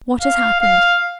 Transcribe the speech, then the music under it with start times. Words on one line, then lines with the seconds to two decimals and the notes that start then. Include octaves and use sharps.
What has happened?
0.22 F5
0.61 F5